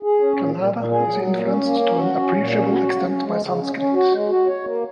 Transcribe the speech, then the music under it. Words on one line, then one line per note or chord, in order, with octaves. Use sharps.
Kannada is influenced to an appreciable extent by Sanskrit.
G#4
C#4
A#2
A#2
A#2
G#4
F#3
A#2
C#4
A#3
C#4
F#4
C#4
A#2
C#4
F#4
C#3
C#4
G#3
C#3
C#4
C#4
F#4
G#3
F#4
C#5
A#3